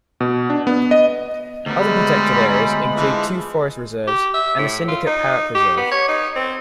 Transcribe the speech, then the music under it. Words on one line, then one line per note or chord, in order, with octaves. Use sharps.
Other protected areas include two Forest Reserves and the Syndicate Parrot Preserve.
B2
D4
B3
D#5
D2 F#3 G3 B3
G#3 B5
E3 F3
G4
E5
A2
F4
D#4
G4
B3
C#5
D#4
C4